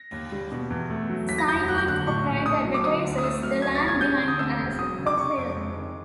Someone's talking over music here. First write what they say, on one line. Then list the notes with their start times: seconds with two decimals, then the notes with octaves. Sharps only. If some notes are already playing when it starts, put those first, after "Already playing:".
The sign at top right advertises the land behind as for sale.
Already playing: A#6
0.12 D#2
0.32 G3
0.52 B2
0.70 E2
0.90 A3
1.10 F#3
1.29 D#2 B6
1.38 A#6
1.48 F1 G6
1.67 F#3 F#6
1.78 G6
1.87 D3 F#6
2.07 A2 C#6
2.27 A#1
2.46 A3 D#6
2.65 F#3
2.74 D6
2.84 D3 D#6
3.04 D2
3.18 D#6
3.24 A3 E6
3.43 F#3 F6
3.62 D2 G#6
3.75 A6
3.82 E1
3.88 G#6
4.01 G3 G6
4.20 D3
4.28 D#6
4.39 D2 E6
4.59 E1
4.79 F#3 D#6
4.98 C#3
5.07 D6
5.17 C3 C#6
5.37 F2
5.57 G#3
5.76 D#3